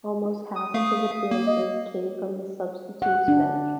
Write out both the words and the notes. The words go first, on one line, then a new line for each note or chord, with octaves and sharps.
Almost half of his appearances came from the substitutes bench.
D#6
A3 F5
A#3
D#5
F#5
D4